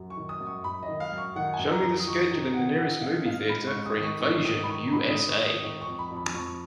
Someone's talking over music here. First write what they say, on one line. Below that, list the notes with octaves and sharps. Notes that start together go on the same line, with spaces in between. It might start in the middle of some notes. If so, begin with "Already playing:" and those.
Show me the schedule in the nearest movie theatre for Invasion U.S.A..
Already playing: F#2
C#6
D#3
D#6
F#2
C#6
F#2 B5
D#5
D#3
F5
F#2
C#6
D#3 F#5
G#5
F#2
A#5
F#2
D#6
D#3 C#6
D#3 A#5
D#3 F#5
D#3 F#5
D#3 F5
G#2 F5
G#2 B5
C#6
G#2
D#6
D#3
C#6
G#2 C#6
D#3 D#6
B5
D#3 C#6
A#5
G#2 B5
D#6
G#2
C#6
D#3
D#6
D#3 C#6
C#6
F2
B5
F2
B5
F2 C#6